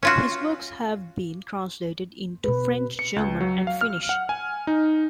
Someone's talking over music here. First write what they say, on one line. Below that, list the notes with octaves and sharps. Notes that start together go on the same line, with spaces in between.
His works have been translated into French, German and Finnish.
C#4 F4 F#4
B2 B4
C#7
C#2
F#3
F5
F6
F#5
G#5
D#4